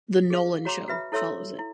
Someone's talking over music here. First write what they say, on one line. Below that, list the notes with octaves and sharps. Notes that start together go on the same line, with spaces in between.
"The Nolan Show" follows it.
G#4 F5
F#4 C#5 A#5 C6 D6
F#4 B4 E5 B5
E4 A4 C#5 E5 C6 E6
E4